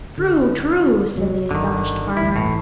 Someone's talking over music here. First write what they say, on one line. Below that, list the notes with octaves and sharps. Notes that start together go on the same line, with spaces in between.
"True, true!" said the astonished farmer.
D3
C2 F#3
G1 D3 D#3
D2 E3 E4
G1 A2 E3